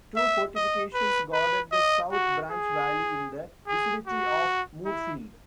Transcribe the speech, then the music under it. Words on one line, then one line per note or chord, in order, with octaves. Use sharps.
Two fortifications guarded the South Branch Valley in the vicinity of Moorefield.
E5
D#5
B4
B4
D#5
F#4
G#4
G#4
F#4
E4